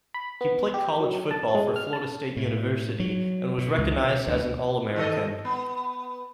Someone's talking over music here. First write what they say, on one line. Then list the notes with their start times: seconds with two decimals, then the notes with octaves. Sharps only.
He played college football for Florida State University and was recognized as an All-American.
0.14 B5
0.41 B3
0.74 G4
1.00 F#3
1.31 A5
1.55 G#3
1.76 F6
1.93 A5
2.37 A2
3.00 F#3
3.58 B2
3.78 C#2
3.97 B2
4.27 D2
4.96 D#3 A4 D#5
5.45 B3